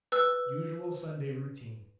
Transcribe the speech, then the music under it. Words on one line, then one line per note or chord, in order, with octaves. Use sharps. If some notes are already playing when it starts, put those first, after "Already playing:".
Usual Sunday routine.
B4 E6